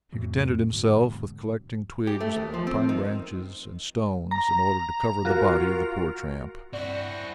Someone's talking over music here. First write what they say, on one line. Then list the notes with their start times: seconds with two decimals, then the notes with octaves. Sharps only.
He contented himself with collecting twigs, pine-branches, and stones in order to cover the body of the poor tramp.
0.13 F2 A2 C3 F#3
0.73 G#2 B2 D3 F#3
2.07 G4
2.21 A3
2.36 D#2
2.54 F3
2.67 C4
2.89 D#3
4.31 A#5
5.25 F4 F#4 A#4
6.73 G2 C4 E4 D5 F#5 C#6 A#6